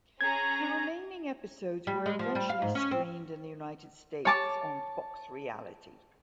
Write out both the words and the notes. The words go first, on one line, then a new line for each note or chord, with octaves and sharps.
The remaining episodes were eventually screened in the United States on Fox Reality.
C#4 G#4 A#5 G#6
G3
G#3
F3
G3
F5
G#2
C#4
C4
C#5 A5 D6